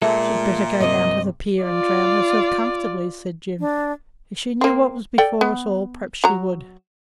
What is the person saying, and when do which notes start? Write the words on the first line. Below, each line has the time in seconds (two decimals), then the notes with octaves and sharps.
'She'd better go down to the pier and drown herself comfortably,' said Jim. 'If she knew what was before us all, perhaps she would.
0.02 A#2 G#3 A3 A4 E5
0.80 G2 C3 D#5
1.63 F4 D5
3.60 D4
4.61 A#3 C4
5.18 A4 D5 G5
5.41 B3
6.24 F#3 A#5